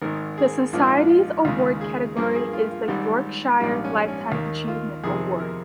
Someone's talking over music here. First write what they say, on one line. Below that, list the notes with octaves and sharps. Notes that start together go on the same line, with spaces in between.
The Society's award category is the Yorkshire Lifetime Achievement Award.
G#1 G#2 D#3 A#4
G#4
A#1 G#2 F3 G#3 F4
F4
D#2 C#3 G#3 F4
G#4
G2 F3 A#3 A#4
G#4
F4
F4
G#1 G#2 G3 G4
A#1 G#2 G3 F4
C#4
C#4
D#2 D#3 A#3
F4
F2 C3 D#3 G#4
A#4